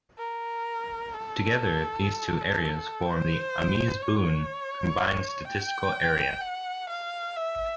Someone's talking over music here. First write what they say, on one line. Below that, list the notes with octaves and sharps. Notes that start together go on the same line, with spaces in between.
Together, these two areas form the Ames-Boone Combined Statistical Area.
A#4
A4
C5
C#5
G5
F#5
F5
E5